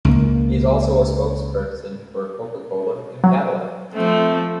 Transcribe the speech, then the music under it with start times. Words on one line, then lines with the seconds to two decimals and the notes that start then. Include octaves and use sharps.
He is also a spokesperson for Coca-Cola and Cadillac.
0.05 C#2 A#3
3.24 F#3
3.93 F3 A3 C4